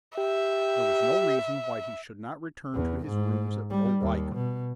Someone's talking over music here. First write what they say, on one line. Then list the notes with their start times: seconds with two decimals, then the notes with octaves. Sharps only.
There was no reason why he should not return to his rooms at Low Wycombe.
0.17 G4 E5
2.74 E2
3.06 G#2
3.70 G3
4.01 D#2
4.34 B2